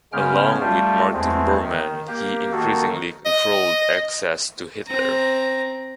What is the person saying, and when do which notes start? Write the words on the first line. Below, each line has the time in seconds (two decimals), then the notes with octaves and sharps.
Along with Martin Bormann, he increasingly controlled access to Hitler.
0.13 C#3 G#3 B3 C#4 G5 F6
0.61 G3 A3 F4 G4 A4
1.13 E2 G#3 A3 C4
1.61 D#3
2.08 A#3 G4
2.52 D#3 A#3 F#4 A4
3.26 D#5
4.87 C4 A#5